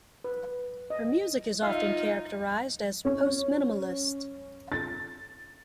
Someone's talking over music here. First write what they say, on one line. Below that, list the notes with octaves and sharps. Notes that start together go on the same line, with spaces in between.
Her music is often characterized as postminimalist.
B4
D#5
D#4 F4 E5 F5
C#4
A6